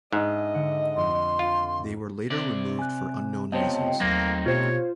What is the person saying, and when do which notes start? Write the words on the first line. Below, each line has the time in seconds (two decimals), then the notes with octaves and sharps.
They were later removed for unknown reasons.
0.13 G#2 D4 D#5 E5
0.54 D3 F#5
0.97 F2 C6
1.39 F4
2.30 C3 D5
2.79 G#5 F#6
3.52 C#2 C3 B3 C5 C#5 D#5 G5 A5
4.00 D#2 A2 F#3 A#3 C4 D#4 A#6
4.46 B2 B3 F4 G4 C5 C#5